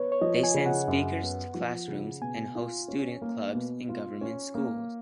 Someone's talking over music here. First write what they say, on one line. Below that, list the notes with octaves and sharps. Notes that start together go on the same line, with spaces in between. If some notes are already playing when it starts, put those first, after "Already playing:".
They send speakers to classrooms and host student clubs in government schools.
Already playing: B3 B4 C#5
C#5
F3 D#5
G#5
C#3
F#5
F#2
B3
F3
C#3
B2 G#5
F4
C#4
A#3
B2
F4
C#4
A#3